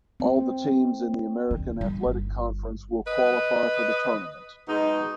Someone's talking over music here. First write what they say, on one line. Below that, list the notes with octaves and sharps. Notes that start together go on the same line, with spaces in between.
All the teams in the American Athletic Conference will qualify for the tournament.
C4
D3
G3
G1
B4 D#5
B2 G#3 D#4